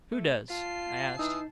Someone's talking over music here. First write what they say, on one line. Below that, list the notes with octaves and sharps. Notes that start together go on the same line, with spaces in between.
"Who does?" I asked.
A3
F4 A5 C7
E3 D#4 D#6 E6